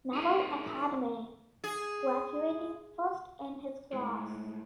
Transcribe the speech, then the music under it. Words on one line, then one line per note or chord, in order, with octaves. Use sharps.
Naval Academy, graduating first in his class.
D#4 E4 G#4 A#4
G#4
A2 G#3